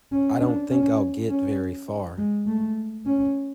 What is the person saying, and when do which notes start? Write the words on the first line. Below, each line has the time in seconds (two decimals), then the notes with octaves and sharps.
I don’t think I’ll get very far.
0.12 C#4
0.41 D4
0.70 C#4
1.29 C#4
2.18 G#3
2.47 A3
3.06 C#4